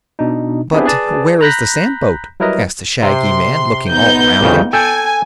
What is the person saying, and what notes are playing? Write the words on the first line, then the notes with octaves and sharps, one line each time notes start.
"But where is the sand-boat?" asked the shaggy man, looking all around him.
B2 D4 D#4
B3 C4 D4 E4 G4 G#4
G#4 B4 D5 A5
A#5 B5 F#6 G6 A#6 B6
F#3 G3 E4 A#4 B4 D#5
C3 C6
B3 D#4 G6
C2 F2 C#3
A4 G5 G#5